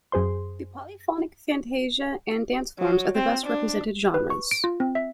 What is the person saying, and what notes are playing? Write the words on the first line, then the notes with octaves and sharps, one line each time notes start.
The polyphonic fantasia and dance forms are the best represented genres.
F#2 G#4 C5 C6
F#3
C4
D4
B4
C#6
D7
F4
C4
E5